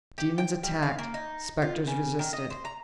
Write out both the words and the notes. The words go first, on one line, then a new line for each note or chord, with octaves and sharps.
Demons attacked, spectres resisted.
G4
G5
G3
F5
A#3
D#4
F4
C#3
D#3
D#5
C5
A#5